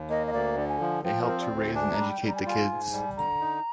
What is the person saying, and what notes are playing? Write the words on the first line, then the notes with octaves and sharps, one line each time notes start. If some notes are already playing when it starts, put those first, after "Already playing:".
They helped to raise and educate the kids.
Already playing: D#2
A#3 D#5
D#5
D2 D5
D3
G#5
F3
F3 G5
A#4
C4
D5
D2
C5
D4 G#5
A#5
G3
G5
G3
A#5
G#5
G5
F4 G#5
G#2
G3
D3 A#5
D#4